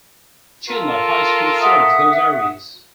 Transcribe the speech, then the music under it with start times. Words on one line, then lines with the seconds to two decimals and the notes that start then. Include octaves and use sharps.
Chinle High School serves those areas.
0.69 F4 A4 A#4
1.61 E5 F#5 D#6